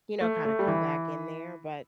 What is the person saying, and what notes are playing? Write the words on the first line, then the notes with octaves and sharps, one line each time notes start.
you know, kinda come back in there," but
A3
A3
G3
E3